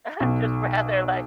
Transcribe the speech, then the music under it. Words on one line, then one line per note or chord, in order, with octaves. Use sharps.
I'm just rather, like,
B1